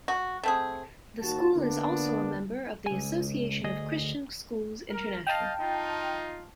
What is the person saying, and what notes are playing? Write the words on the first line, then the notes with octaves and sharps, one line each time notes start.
The school is also a member of the Association of Christian Schools International.
F#4
A3 C4 G#4
D#2 F#4 A5
D3 A#3 B3 D4
C#2 G#5
D2 G#4 D#5
A#4
D#5 F5 G5 A5
D#4 F4